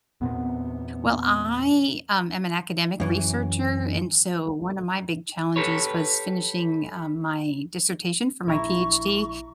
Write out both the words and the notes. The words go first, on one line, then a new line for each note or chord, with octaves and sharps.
Well, I, um, am an academic researcher, and so one of my big challenges was finishing, uh, my dissertation for my PhD.
E2 A#2 B3 C4
F#2 E3
G4 A4 B4 C#5
A#1 E4 A#5 C#6